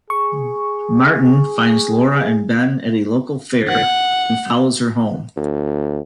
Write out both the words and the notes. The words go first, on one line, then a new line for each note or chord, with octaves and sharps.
Martin finds Laura and Ben at a local fair, then follows her home.
G#4 C#6
F#5
D2